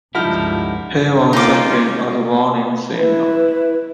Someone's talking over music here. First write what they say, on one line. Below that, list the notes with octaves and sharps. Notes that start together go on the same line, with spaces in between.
He was sending out warning signs.
C#2 G2 D3 F3 G3 D#4 E4 F6
A#3 C#4 D#4 F4 D6
E4 B4